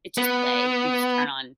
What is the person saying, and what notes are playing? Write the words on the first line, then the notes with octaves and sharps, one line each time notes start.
it's just play. You just turn on
B3